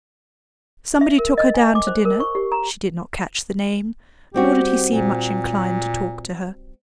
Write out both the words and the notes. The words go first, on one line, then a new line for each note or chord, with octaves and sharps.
Somebody took her down to dinner; she did not catch the name; nor did he seem much inclined to talk to her.
E5
A#4
D#5
G#5
D6
C5
A#4
C#6
G4
A#5
G3 C4 F#4 G4
A#2